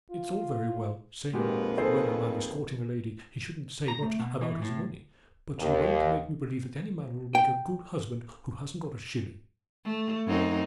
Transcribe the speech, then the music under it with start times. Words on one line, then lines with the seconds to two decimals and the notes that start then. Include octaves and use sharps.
It's all very well saying that when a man is courting a lady, he shouldn't say much about his money; but you won't make me believe that any man will make a good husband who hasn't got a shilling.
0.11 F4
1.33 F2 A#2 D#3 G#3 F#4 G4 B4
1.78 G#4 A4 C5
3.88 A#5
4.02 A3
4.20 B2
4.41 E3
4.62 A2
5.59 D#2
7.35 G5
9.84 A3
10.26 F#2 C4 D#4